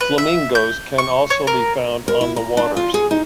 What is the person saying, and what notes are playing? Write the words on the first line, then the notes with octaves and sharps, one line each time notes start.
Flamingos can also be found on the waters.
B4
E5
G6
C#6
C#5
A#4
A#4
E4
A#5
D4
F4
G#4
D#4